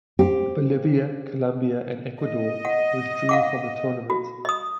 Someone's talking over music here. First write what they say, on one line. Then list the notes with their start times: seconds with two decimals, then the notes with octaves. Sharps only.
Bolivia, Colombia, and Ecuador withdrew from the tournament.
0.19 C4 G4
2.21 D#5
2.65 F#5
3.29 F5 F#5 D6
4.10 F#4
4.45 D#5 D#6